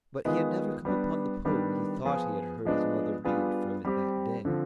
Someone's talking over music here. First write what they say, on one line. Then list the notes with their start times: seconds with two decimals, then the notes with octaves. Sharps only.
But he had never come upon the poem he thought he had heard his mother read from it that day.
0.25 D#3 G#3 B3 F4 G#4
0.85 G3 B3 D4
1.45 D#3 G3 B3 D4
2.04 F3 B3 F4 G#4
2.65 F3 G#3 B3 D4
3.24 G3 B3 D4 F4 G#4
3.85 G3 C4 G4
4.45 D3 F3 C4